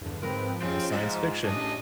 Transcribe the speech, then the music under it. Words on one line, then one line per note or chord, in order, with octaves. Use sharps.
uh, science fiction,
E2 G2 D3
G#2 F3 C4 A#4 B4
D#2 C#3 C4 F4
F2 G#2 G#3 E5
A1 A2 C#3 D4 D#5